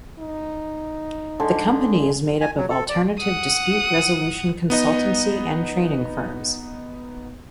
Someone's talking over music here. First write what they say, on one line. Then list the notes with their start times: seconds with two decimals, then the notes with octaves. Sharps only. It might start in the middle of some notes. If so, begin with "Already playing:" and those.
The company is made up of Alternative Dispute Resolution consultancy and training firms.
0.19 D#4
1.40 D3 G#3 A4
2.41 G#5
2.57 F#3
2.70 A4
2.89 D5
3.19 F#5 D#6
4.70 B3 D#4 D#5